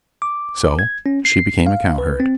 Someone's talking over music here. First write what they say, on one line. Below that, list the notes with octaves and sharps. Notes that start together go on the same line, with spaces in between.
So she became a cowherd.
D6
G#6
C#4
C7
F5
B4
C4